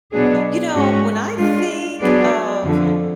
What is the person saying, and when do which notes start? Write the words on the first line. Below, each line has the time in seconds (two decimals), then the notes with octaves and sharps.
You know, when I think of
0.12 B2 F#3 B3 D4 G#4
0.75 G#2 G#3 C#4 F#4
1.37 G#3 D4 F4
2.01 F#3 B3 D4 G#4 D5
2.64 F2 D3 F3